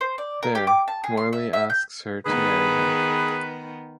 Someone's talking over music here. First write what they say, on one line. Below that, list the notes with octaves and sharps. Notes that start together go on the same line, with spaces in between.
There, Morley asks her to marry him.
C5
D5
A#4
G4
D6
A5
G#4
C6
E5
E5
G6
D#3 B3 G#4 B4